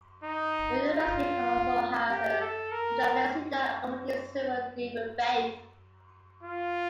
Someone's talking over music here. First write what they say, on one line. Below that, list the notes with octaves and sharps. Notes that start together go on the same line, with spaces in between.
The university also has a Chaplaincy that accommodates several different faiths.
D#4
F4
G4
A4
A#4
F4